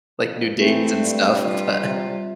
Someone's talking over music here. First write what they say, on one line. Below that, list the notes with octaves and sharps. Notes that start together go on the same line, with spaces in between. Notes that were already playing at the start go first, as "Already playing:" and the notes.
like, new dates and stuff, but
F2
E3 A3 C4
G2
G3 F4
C3